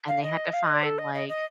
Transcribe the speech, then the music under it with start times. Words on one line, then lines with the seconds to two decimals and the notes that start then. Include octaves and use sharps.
and they had to find, like,
0.08 F5
0.23 D#5
0.53 F5
0.64 D#5
0.74 D5
0.83 A4
0.98 D#5
1.14 D#5
1.29 D#5